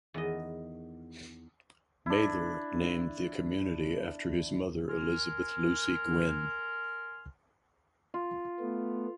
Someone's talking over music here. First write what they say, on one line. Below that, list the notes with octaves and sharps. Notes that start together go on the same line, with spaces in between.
Mather named the community after his mother Elizabeth Lucy Gwinn.
E2 D#3 D#5
D4 E4
A#4 G#5 C6 F6
F4
A3 B3